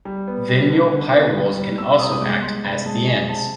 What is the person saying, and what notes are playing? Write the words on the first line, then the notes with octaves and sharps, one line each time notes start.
Vinylpyrroles can also act as dienes.
G3
B3
G3
D3
D3
B3
G3
G3
C4 E6
C3 D#6
D#6
G#3 D6
G#3 C6
C3 B5
G#3 A5
G#3 G#5
C3 A5